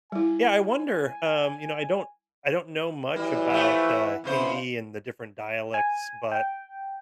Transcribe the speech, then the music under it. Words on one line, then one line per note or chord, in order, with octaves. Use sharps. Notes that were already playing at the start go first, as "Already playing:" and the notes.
Yeah, I wonder, um, you know, I don't I don't know much about, uh, Hindi and the different dialects, but,
G3 E4 G#5
E3 F#3 G3
F3 A3 E5 F#5
F2 C#3 B3 E4 C5
G#5
G5